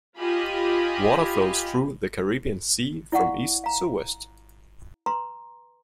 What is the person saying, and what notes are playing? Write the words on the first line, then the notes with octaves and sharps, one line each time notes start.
Water flows through the Caribbean Sea from east to west.
F4 G4 D#5 G#5 B5
E4 D5 F5 F#5 C#6
F5 A#5
B4 A#5 C6